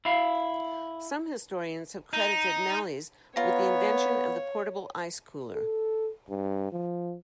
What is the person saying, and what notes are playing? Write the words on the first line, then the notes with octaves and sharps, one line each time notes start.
Some historians have credited Malley's with the invention of the portable ice cooler.
E4 F5
D#4
B3 F4 C#5 A#5
A4
G2
F3